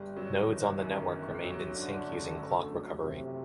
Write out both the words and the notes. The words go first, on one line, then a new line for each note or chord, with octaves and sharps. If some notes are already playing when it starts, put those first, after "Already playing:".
Nodes on the network remained in sync using clock recovery.
Already playing: G1 G3
F#3
G1 D#3
F#2
G1
F#3
G1 D3
F#2
A3
F#3
F#1 C3